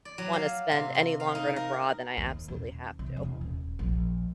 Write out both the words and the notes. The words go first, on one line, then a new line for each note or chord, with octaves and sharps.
wanna spend any longer in a bra than I absolutely have to.
D5
F#3
F5
C3
C6
F5
D#4
A#4
D#2
D#1
C3
E1
D#1
A#1